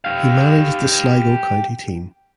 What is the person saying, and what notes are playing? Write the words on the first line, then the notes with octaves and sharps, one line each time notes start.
He managed the Sligo county team.
G4 F5